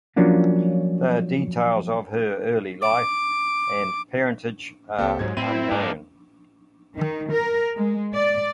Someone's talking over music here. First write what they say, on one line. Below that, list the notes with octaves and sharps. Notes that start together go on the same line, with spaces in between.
The details of her early life and parentage are unknown.
F3 F#3 A#3 C#4 D4 F4
D6
C#2 A#3 C4 G4 A4
G#2 F#3 G#6
A2 C4 E4 D#7
G#2 G#3 A#3 D4
D#3
A#4
G#3
D5